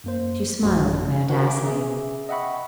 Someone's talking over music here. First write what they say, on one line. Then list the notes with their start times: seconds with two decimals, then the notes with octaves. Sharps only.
She smiled at my audacity.
0.04 F#2 A#3 C5
0.62 A1 F#2 F#4
1.29 F#4 G4 A#4 C5 F#5
1.48 D6
1.64 C#4 G#4 E5
2.29 D#5 E5 F#5 G5 B5 C#6